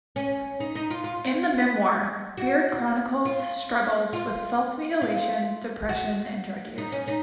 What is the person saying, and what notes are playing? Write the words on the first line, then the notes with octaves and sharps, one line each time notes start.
In the memoir, Beard chronicles struggles with self-mutilation, depression and drug use.
C#4
D#4
D#4
F4
F4
F#4
F4
F4
F4
F#4
D#4
C#4
D#4